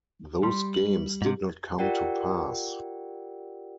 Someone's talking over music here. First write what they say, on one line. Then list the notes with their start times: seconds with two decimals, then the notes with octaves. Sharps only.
Those games did not come to pass.
0.43 G3 C6
0.74 F#7
1.22 G#2 C3
1.79 F4 G4 A#4 D5 F#5 G5